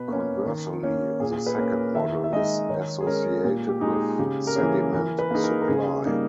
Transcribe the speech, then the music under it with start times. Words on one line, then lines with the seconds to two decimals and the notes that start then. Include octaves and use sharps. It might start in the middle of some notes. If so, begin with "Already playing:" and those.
Conversely, the second model is associated with sediment supply.
Already playing: B2 B4
0.08 A#3 C#4
0.46 D#3
0.83 A#3 C#4
1.20 A#2 G#4
1.46 B4
1.58 A#3 C#4 A#4
1.95 D#3 E5
2.24 E5
2.32 G#3 D#4 D#5
2.69 D#3 C#5
3.01 G#4
3.07 G#3 C#4 A#4
3.44 A#2
3.69 G4
3.81 G#3 D#4
3.93 G#4
4.19 C#3 G4
4.47 A#4
4.56 E3 A#3 C#4 G#4
4.93 E3 A#4
5.19 B4
5.31 A#3 D#4 G#4
5.44 A#4
5.62 A#4
5.68 C#3 G#4
6.05 G3 A#3 D#4